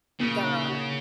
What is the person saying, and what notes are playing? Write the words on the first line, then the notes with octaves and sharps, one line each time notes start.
there are
A#2 C#3
D#4
F#4